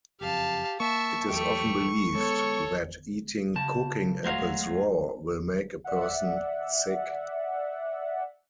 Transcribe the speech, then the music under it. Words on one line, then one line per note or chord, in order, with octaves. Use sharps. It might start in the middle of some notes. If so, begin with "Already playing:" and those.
It is often believed that eating cooking apples raw will make a person sick.
F#1 F2 G4 F5 A5
A#3 E5 A5 C#6
E2 F#3 A3 G4
G#3 B3 A4 C#5
C#3 A5
F#3 G#3 A3 F#4 F5 A#5
D5 E5 F#5